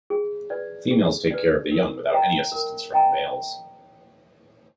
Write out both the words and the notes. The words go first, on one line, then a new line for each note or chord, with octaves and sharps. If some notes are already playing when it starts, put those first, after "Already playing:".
Females take care of the young without any assistance from the males.
G#4
B4 D5
G#4
B4 D5
A#4
D#5 G5 A#5
A#4
D#5 G5 A#5